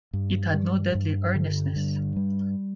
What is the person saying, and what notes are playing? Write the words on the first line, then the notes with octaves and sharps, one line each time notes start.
It had no deadly earnestness.
G2
G3
G2
D3
G2
G3